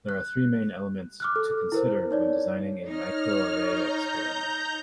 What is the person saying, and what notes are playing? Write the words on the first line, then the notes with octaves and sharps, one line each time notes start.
There are three main elements to consider when designing a microarray experiment.
F#6
D6 F6 F#6
A4
E4 A#4 C5
D#4 C#5 D5
D#4 C#5 F6
A#5 G6